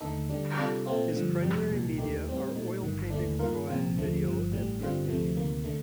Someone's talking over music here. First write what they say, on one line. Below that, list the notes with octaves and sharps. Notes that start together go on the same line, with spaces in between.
His primary media are oil painting, drawing, video and printmaking.
D#2 D3 A3 D#4 A4
D3 G3 D4
C3 G3 D4 F4 A4
A#2 A3 C4 F4
G2 D3 F3
F2 C3 G3
C2 A#2 G3
D#2 D#3 A3 D#4 G4
A2 G3 C4
A#2 A3 D#4
G1 G2 D#3
D#2 D3 A3 D4
G2 D#3 A#3 F4 A#4
C2 A#2 F3 C4 F4
D#2 D3 F3 A3
G1 G2 F3
A1 A2 G3
G2 D3 G3 C4 F4
D2 C3 F3 A3
D2 C3 D#3 A#3
D3 A3